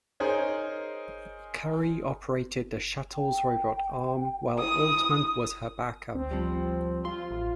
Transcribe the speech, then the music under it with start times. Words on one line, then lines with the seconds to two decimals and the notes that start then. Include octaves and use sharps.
Currie operated the Shuttle's robot arm while Altman was her backup.
0.20 D#4 G#4 A#4 C5 C#5
3.14 G5
4.59 E4 D#6
6.15 D2 C4
6.31 F3 G3
7.05 F4 C6
7.31 A1